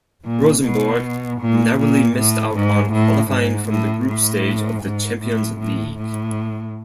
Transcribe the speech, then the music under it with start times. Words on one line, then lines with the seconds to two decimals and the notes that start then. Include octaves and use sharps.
Rosenborg narrowly missed out on qualifying from the group stage of the Champions League.
0.26 A#2
0.64 B2
1.41 A#2
1.79 A#2
2.17 A2
2.55 G#2
2.93 A2
3.31 G#2
3.69 A2
4.07 A2
4.83 G#2
5.21 A2
5.59 A2
5.98 A2